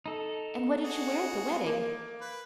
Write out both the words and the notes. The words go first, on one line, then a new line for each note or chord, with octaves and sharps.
"And what did you wear at the wedding?"
D#4 A4
F#4 G#4
A#3
B4